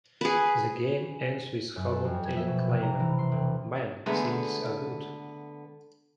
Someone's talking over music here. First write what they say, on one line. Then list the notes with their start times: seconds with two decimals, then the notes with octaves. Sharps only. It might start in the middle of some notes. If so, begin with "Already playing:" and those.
The game ends with Hoborg telling Klaymen "Man, things are good".
0.21 G#4 B4
1.76 F#2
1.92 A4
2.04 F2
2.25 G#6
2.37 E5
2.48 B2
2.69 C3
2.82 A#5
3.00 E3
3.19 C6
3.32 E1
4.06 D3 G#3 A3 B3 G#5 A#5